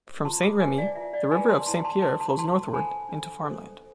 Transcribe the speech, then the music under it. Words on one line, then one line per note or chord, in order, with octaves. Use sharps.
From Saint-Rémy, the river of Saint-Pierre flows northward into farmland.
F4 A5 C6
B5 D6
G#4 B4 E5 G#5
D5 F5
F4 E5
D5 F5
G#4 B4 G#5 B5
A5 C6
E4 A5 C6
A5 C6
A4 C5 A5 C6
A5 C6
E4 A5 C6
A4 C5 G#5 B5
D4
A4 C5